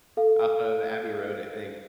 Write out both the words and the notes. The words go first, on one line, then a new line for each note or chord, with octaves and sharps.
Off of Abbey Road, I think.
A4 F5